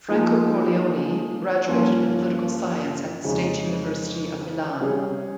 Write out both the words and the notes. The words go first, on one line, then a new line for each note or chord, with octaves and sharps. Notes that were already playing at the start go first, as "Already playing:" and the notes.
Franco Corleone graduated in Political Science at the State University of Milan.
F3 A#3 D#4 G#4
G2 F3 A#3 C#4 F4
F2 C#3 G#3 D#4
G3 C#4 G#4 C#5